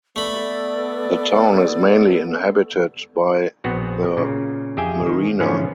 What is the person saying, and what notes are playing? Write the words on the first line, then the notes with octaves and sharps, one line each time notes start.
The town is mainly inhabited by the Merina.
A3 B3 A4 D5 B5
A#1 B3 C4 F#4 F#5
A#2 C#3
F2 G4 G#4 E5 G5 G#5
D#3
G#2 D3 E3 F3 B3 C#4